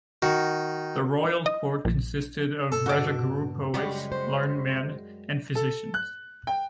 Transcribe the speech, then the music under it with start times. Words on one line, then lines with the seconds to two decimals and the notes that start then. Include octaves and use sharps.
The royal court consisted of a "Rajaguru", poets, learned men and physicians.
0.22 D#3 F#4
1.46 D#5
1.85 A#1
2.72 G2 A#2 C#3 A4
2.86 B2 F#4 D5
3.74 F#2 C#3 G3 G#3 G4 B5 C#6
4.12 C5
5.55 A4
5.94 F#6
6.47 G5